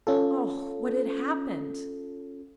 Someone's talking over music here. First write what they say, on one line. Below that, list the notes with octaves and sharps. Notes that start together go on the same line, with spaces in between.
Oh! what had happened?
C#4 F4 A4